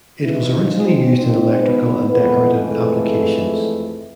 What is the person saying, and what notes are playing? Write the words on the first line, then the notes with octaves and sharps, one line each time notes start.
It was originally used in electrical and decorative applications.
G#2 E3 G#3 E4
F3 F4
C4 C5
C4 C5
B3 B4
F2 E3 G#3 B3 B4
A3 A4